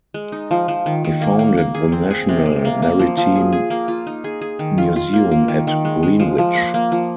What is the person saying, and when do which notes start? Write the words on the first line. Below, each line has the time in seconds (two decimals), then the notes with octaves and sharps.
He founded the National Maritime Museum at Greenwich.
0.14 G#3
0.32 D#4
0.51 F3
0.68 F3
0.86 D#3
1.04 D#3
1.21 A#3
1.39 A#3
1.57 A#3
1.74 G#4
1.92 C4
2.10 G#4
2.29 C3
2.46 C3
2.65 A#3
2.82 A#3
2.99 F3
3.17 F3
3.36 G#4
3.52 G#4
3.70 A#3
3.88 F4
4.07 D#4
4.24 G#4
4.41 G#4
4.59 D#3
4.78 F4
4.96 F4
5.13 A#3
5.31 A#3
5.48 D#3
5.67 D#3
5.85 G#3
6.03 G#3
6.19 F3
6.38 F3
6.55 A#3
6.74 A#3
6.92 F3